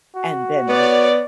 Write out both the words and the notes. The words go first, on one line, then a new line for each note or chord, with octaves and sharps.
and then, w
F#4
B3 C#5 D5